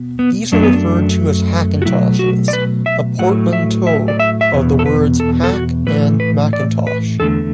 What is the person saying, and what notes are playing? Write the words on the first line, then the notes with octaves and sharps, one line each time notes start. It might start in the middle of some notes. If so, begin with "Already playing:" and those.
These are referred to as Hackintoshes, a portmanteau of the words "hack" and "Macintosh".
Already playing: B2
B3
F#2 F#3 A3 D4
B3
D4
F#4
B2 F#3 A3 E4
F#4
D5
B4
E5
A2 F#3 A3 F#5
E5
E5
D5
E5
E5
E2 B2
A4
B4
A4
A4
F#4
A2 E3 A3 B4
B4
D5
B4
E2 D3 A3 A4